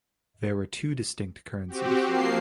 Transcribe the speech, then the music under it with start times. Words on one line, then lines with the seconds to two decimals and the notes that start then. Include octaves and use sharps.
There were two distinct currencies.
1.68 C4 F#4 G4
2.07 F3 A#3 C7